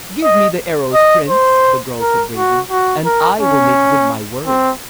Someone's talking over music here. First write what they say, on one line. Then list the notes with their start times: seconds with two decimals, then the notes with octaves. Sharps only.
"Give me the arrows, Prince," the girl said, bravely, "and I will make good my words."
0.23 D#5
0.94 D#5
1.29 C5
2.00 A#4
2.35 F#4
2.71 F#4
3.05 A#4
3.40 C#4
4.47 C4